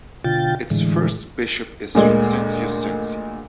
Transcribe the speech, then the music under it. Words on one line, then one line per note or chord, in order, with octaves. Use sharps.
Its first bishop is Vincentius Sensi.
B2 D3 F4 G5 A6
A2 D3 E3 G#3
D2 A#2 G#3